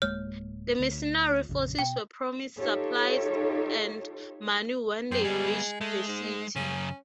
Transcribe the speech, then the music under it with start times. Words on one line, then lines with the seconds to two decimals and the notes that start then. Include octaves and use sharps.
The mercenary forces were promised supplies and money when they reached the city.
0.02 D1 G#3 A#3 C#5 F6
0.79 D2
1.49 A#1 F2 C#3
1.79 B2 G5
2.57 D#4 F4 G4 A4 C#5
5.11 F#2 C4
5.24 G3 G#3 B3
5.81 G#3 A3
6.08 G#2
6.56 F#2 C#3 C#4